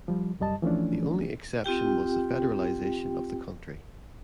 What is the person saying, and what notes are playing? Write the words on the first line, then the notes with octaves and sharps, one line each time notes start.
The only exception was the federalization of the country.
F3 G3
C2 F#2 G3 D#5 A5
E3 F3 A3 C#4 D4
C4 F4 G4 G5